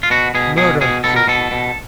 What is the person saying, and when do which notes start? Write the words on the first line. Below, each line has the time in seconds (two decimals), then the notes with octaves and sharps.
"Murder!" she repeated.
0.03 F4
0.10 B2 F#4
0.35 B2 G#4
0.57 B2 G#4
0.81 B2 G#4
1.04 B2 A4
1.16 A#4
1.28 B2 A4
1.51 B2